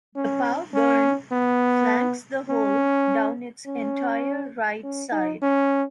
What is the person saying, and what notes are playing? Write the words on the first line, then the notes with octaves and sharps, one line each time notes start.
The Pow Burn flanks the hole down its entire right side.
C#4
C#4
B3
C#4
C#4
C#4
D#4
C#4